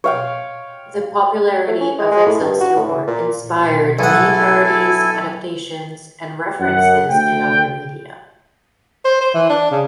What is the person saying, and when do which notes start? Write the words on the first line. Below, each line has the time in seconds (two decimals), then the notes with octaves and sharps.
The popularity of "Excelsior" inspired many parodies, adaptations, and references in other media.
0.04 C#5 F5 G5
1.67 A3
1.81 C#4
1.98 G#3
2.11 G#3
2.26 A2
2.40 G2
2.61 F#4
2.76 A2
2.88 E3
3.07 A#2
3.99 B1 E4 A4 F#5 G#5
6.60 F#2 F#5
7.10 D2 G5
9.05 C5
9.21 C5
9.34 E3
9.49 D4
9.71 C#3